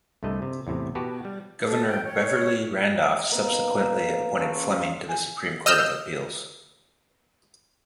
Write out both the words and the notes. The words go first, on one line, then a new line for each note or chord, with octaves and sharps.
Governor Beverley Randolph subsequently appointed Fleming to the Supreme Court of Appeals.
C2 G2 C3 A3 D#5
C3
E2 A2 C3
B2 F#4 G4 B4 A5
G3
A4
G5
C#5
D#5 F#5
A#3 B3 D#4 A#4
F5
C#3 D4 F4 C#5
C#5
G#5
D#5 E6 F6 G6